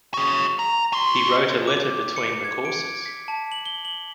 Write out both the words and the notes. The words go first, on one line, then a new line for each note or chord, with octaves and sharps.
He wrote a letter between the courses.
F#4 G#4
A#5
F#4 C6
D6
C#7
G#6
D7
B6
A5
F#7
G7
F#7